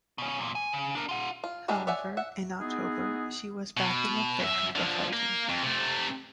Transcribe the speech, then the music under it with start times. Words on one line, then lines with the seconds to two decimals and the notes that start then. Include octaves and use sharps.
However, in October, she was back in the thick of the fighting.
0.18 B2 C#4
0.38 E2 A#2
0.55 G#5
0.72 C#3
0.95 D4 A#4
1.09 F4 F#5
1.44 F4
1.68 E3 G3 G#3 D4 E4
1.87 C#5 D5 E5 F#5 G#5
2.17 E5 F#5
2.59 G#3 B3 D#4 E4 F#4 G#4
3.77 B2
4.40 F#2 E5
4.75 D3 F3
5.13 A#3
5.49 F2
5.64 C3 A3